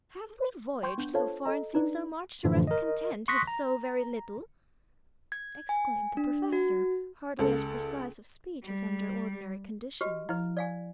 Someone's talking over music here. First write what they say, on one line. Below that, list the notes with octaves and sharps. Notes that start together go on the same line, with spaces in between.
"Have we voyaged so far and seen so much, to rest content with so very little?" exclaimed the professor, hardly as precise of speech as under ordinary conditions.
G5 C6 C#6 G6 G#6
B3 D4 G6
F4 A4 C5 C#5 F5 A5
A4 D#5 A#5
D4 D#4 B4 D5
F#2 A2 D3 E3 F3 A3
A#4 D#5
C6 C#6 D#6 F#6 A#6 B6
A#5
G#6
G#5
D4
F#4
C#2 A4
G3
F#4 G4 B4 D#5
F3 E4 B4
D5 F5 G#5